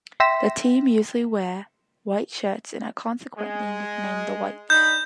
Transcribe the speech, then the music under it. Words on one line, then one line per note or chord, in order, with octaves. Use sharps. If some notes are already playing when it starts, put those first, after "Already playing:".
The team usually wear white shirts and are consequently nicknamed the Whites.
E5 G5 C6 A#6 B6 E7
G#3
D3 D#4 B5 G6